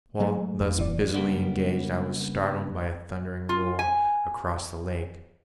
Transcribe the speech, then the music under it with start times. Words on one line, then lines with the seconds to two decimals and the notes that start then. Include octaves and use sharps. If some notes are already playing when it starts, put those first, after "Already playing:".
While thus busily engaged I was startled by a thundering roar across the lake.
0.20 F#3 G#3 A3
0.60 G#1 F2
0.79 D#1 E3 D5
1.14 C#3 G3 A#3 B3 D4
3.49 F4
3.79 G#5